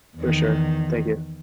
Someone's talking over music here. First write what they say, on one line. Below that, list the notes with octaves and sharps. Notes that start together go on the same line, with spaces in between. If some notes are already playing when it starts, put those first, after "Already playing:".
For sure. Thank you.
E2 D#3